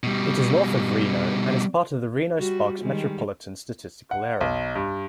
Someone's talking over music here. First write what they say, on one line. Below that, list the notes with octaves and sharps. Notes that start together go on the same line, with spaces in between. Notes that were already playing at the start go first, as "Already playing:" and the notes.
It is north of Reno and is part of the Reno-Sparks Metropolitan Statistical Area.
B2 G3
G3 F#4
D#3 G3 G#3
F#5
B1
G2